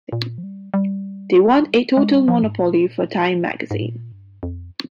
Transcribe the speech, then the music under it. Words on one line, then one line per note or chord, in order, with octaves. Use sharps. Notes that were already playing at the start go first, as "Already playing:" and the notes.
They want a total monopoly for Time magazine.
A#2
F3
G3
G3
G#3
G3
F3
G#2
A#2
G#2
A#2
G2
F2